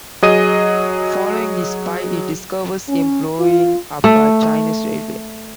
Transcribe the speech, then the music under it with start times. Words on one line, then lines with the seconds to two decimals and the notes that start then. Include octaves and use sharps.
Following the spy, he discovers him blowing up a Chinese railway.
0.22 F#3 G#4 D#5 D#6 D#7
2.89 C#4
3.40 F4
4.04 A3